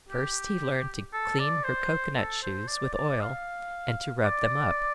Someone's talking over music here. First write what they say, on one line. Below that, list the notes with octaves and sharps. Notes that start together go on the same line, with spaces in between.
First he learned to clean her cocoa-nut shoes with oil and to rub them up.
G4
A4
D5
C5
A4
C5
D5
D5
F5
D5